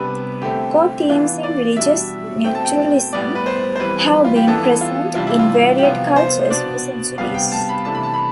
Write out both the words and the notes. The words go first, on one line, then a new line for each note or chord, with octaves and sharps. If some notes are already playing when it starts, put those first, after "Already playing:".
Core themes in religious naturalism have been present, in varied cultures, for centuries.
Already playing: C3 G3 B3 D4 B4
D3 A3 C4 G4
E3 B3 D4 F4
D5
B2 G3 D4 E5
B2 A3 C4 G5
A5
G5
A2 G3 B3 D5
B4
C5
C5
E3 G3 C4 B4
F4
G4
E3 B3 D4 A4
F4
C3 E3 G3 D4 F4
E4
F4
G4
C3 F3 B3 F4
C5
B2 B3 D4 D5
C3 G3 B3 D4 F5
G5
A5
B5
C3 E3 A3 D4 A5
B5
A5
B5